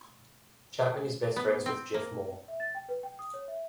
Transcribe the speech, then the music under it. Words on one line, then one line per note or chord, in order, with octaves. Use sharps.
Chapman is best friends with Geoff Moore.
B3
C4
A#3
E5
A6
G5
B4
G5
D#6
C#5
E5